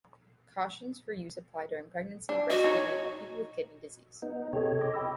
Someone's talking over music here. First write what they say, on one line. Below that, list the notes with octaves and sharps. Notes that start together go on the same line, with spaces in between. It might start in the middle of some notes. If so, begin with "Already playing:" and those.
Cautions for use apply during pregnancy, breast feeding, or in people with kidney disease.
D4
F#4 D#5
D#4 C#5
B3 D#4
C3 G4 A4 C#5 D#5
D#5 D6
G5 B5 E6